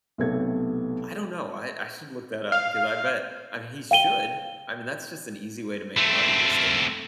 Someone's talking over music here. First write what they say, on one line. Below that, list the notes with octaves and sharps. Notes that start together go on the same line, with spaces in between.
I don't know, I I should look that up because I bet I mean, he should. I mean, that's just an easy way to make money is to m
B1 C3 A3 B3 A4 G#6
F5
F5 G5 D#7 G7
A3 C4